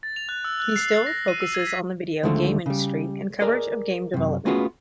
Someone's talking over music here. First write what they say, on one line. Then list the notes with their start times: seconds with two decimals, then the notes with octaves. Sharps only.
He still focuses on the video game industry and coverage of game development.
0.03 A6
0.16 F7
0.29 F#6
0.44 E6
0.60 F#6
0.76 C7
0.92 F#6
1.06 A#6
1.28 D#7
1.41 E6
1.54 G#6
1.67 B6
2.23 D2 D3 D#3 F3 G#3 A3
2.66 C#3 G3
3.40 G#4 A#4 D5 D#5
4.14 F#2 C3
4.45 A3 B3 C#4 F4 F#4 G#4